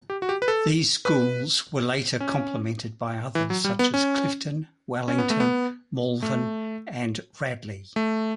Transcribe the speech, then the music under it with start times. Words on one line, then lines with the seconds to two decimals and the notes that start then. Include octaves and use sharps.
These schools were later complemented by others such as Clifton, Wellington, Malvern and Radley.
0.10 G4
0.22 F#4
0.29 G4
0.42 B4
0.48 A4
1.05 B4
2.20 C#4
3.35 E3
3.50 F#3
3.64 G3
3.79 B3
3.94 C#4
5.08 C#4
5.18 B3
5.30 A3
5.40 B3
6.22 A3
7.96 A3